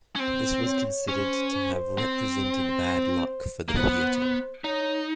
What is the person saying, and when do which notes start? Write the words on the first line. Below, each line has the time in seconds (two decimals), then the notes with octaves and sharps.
This was considered to have represented bad luck for the theatre.
0.16 C#4
0.20 C4 C5
0.64 C#5
1.08 C#4 C5
1.53 C5
1.98 C4
2.42 C5
3.68 A#3
3.76 B3 C5
4.64 D#4 C#5